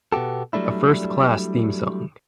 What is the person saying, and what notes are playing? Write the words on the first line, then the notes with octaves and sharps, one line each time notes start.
A first class theme song.
B2 B3 F#4 G4 A4
F#3 G3 A3 D4 E4